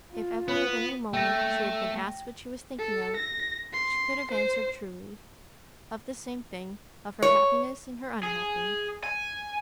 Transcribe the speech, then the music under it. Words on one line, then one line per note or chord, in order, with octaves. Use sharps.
If ever at any moment she had been asked what she was thinking of, she could have answered truly: of the same thing, of her happiness and her unhappiness.
F4
B3 B4
A3 G5 A#6
A4
A#6
C6
C5
C#5
G#4
G#5